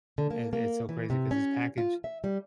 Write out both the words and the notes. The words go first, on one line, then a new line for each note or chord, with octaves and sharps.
I'd it's so crazy 'cause his package,
D3
A#3
A#3
E3
C3
C#4
F4
E5
G3